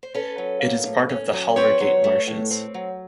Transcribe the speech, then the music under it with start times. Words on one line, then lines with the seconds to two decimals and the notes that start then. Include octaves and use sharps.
It is part of the Halvergate Marshes.
0.03 C5
0.15 C#4 A4 B4
0.38 F#3
0.61 A#3
0.86 A2
1.09 C#4
1.33 F#3
1.56 C4 B4 C#5
1.80 F#3
2.04 A3
2.27 A2
2.51 C4
2.74 F#3